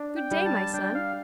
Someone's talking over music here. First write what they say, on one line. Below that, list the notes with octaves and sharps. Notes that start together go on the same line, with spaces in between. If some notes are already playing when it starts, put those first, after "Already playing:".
'Good day, my son!
Already playing: D4
G5
G3
A5
D4 G5
F5